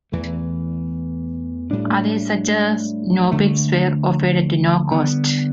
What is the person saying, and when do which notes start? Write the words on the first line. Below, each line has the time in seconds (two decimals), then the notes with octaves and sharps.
Others, such as Knoppix, were offered at no cost.
0.12 E2 E3 A3
1.71 A2 G3 D4
3.31 D2 D3 A3
4.91 D3 G3 B3